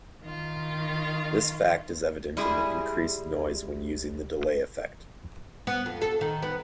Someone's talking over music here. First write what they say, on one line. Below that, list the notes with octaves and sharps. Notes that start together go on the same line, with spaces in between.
This fact is evident in the increased noise when using the delay effect.
D#3 F4
G3 G#3 E4 G#4
B3
F2
A4
D#3
B3